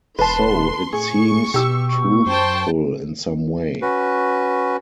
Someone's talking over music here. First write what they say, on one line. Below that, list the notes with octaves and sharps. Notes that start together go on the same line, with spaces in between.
So it seems truthful in some way.
E1 B4 A5 C6
A2 G#4 C#6
B2 G4 E6
C#6
F#2 C5 G5 A5
C#4 F#4 B4